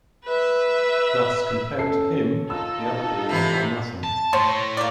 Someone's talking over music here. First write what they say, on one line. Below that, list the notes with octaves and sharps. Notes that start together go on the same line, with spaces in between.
Thus compared to him the other beings are nothing.
B4 E5
C#4 A4 C7
D#4 F4 A4 E6
C3 E3 E4
A5
A2 C5 C#5 A5
A#3 D5